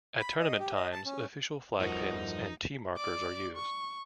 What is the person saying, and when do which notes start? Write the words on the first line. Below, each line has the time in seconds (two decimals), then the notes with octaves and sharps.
At tournament times, official flag pins and tee markers are used.
0.20 B5
0.39 D#5
0.60 G4
0.75 D#5
0.93 A5
1.06 C#4
1.80 G1 E2 G2 F3 D#4 F#4 A#4
2.96 D5 D6
3.56 C#6